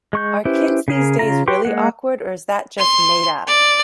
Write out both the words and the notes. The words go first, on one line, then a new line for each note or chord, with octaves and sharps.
Are kids these days really awkward or is that just made up?
G#3 C#6 G6
C#4 E4 G4 B4 C5
C#3 G#4 A#4
C#3 F4 A#5
G4 B4 G5 C6 C#6
G#3 A#3 F#5
C6
D5